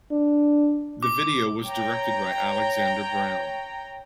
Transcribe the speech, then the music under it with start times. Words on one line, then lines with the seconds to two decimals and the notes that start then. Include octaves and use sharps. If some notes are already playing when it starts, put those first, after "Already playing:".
The video was directed by Alexander Brown.
0.11 D4
1.03 D6
1.64 C#5 G5 A#5